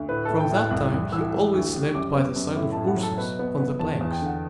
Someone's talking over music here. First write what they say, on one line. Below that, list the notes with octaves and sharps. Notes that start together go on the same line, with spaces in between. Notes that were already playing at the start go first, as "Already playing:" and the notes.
From that time he always slept by the side of Ursus on the planks.
Already playing: D2
A2 B4
A2 A4
G5
A2 F#6
C2 F#6
C2
E3 E6
G3
D2
G3
F#2 D6
B3
F#2
A2
A2 A5
F#5
F#3
A4
B2 B4
B3
B3
E2 A5
E2
G5
D3 F#5